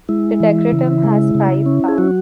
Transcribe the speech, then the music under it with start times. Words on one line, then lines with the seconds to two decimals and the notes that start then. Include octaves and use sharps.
The "Decretum" has five parts.
0.09 G#3 E4
0.40 E3
0.72 C#3
1.04 G#3
1.35 C#3
1.66 C#4
1.88 G#4
1.98 F#3 F#4